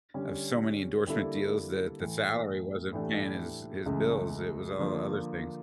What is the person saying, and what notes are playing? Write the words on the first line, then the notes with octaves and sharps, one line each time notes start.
of so many endorsement deals that the salary wasn't paying his his bills. It was all the other things.
D3 G3 C#4
D3 G3 A#3 E4 A4
A2 E3 A3
A2 E3 A3 D4 G4
C#2 C#3 E3 A3
D3 F3 A#3